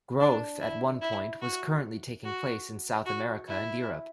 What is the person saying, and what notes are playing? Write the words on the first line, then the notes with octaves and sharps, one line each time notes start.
Growth at one point was currently taking place in South America and Europe.
D4
E4
E4
F#4
F#4
F#4
E4